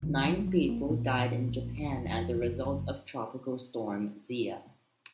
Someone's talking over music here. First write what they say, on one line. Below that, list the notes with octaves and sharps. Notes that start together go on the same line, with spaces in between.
Nine people died in Japan as a result of Tropical Storm Zia.
A#1 D#3
F3
A#1
G#3
F#3
A#1
A#3
C#4
A#2 B3
A#2
A#1
F#1
F2
F#1
F#1